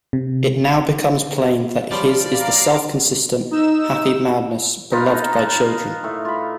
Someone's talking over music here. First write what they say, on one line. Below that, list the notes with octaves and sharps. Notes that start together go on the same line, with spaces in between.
It now becomes plain that his is the self-consistent, happy madness beloved by children.
C3
F3 G3 C#5 D5 B5 C6
F5 A#5 D6
D#4 E6 E7
D#4 F4 B4 F5
B4 A#5
D#5 A5
F5
A2
F4 B5